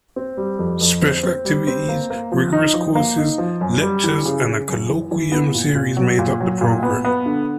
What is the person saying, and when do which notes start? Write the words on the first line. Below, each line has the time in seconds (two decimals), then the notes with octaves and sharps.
Special activities, rigorous courses, lectures and a colloquium series made up the program.
0.16 C4
0.37 G3
0.59 F2
0.81 F2
1.02 C4
1.23 C4
1.45 G3
1.67 C4
1.89 A#3
2.10 A#3
2.32 F3
2.52 D#4
2.74 F3
2.95 A#3
3.18 D#4
3.38 F3
3.61 F#2
3.82 G3
4.03 E3
4.25 C#3
4.46 C#3
4.68 F#2
4.89 E3
5.11 E3
5.32 B3
5.54 A#2
5.75 A#2
5.97 F#3
6.19 A#2
6.40 F#3
6.61 A#2
6.83 B3
7.05 B3
7.26 D3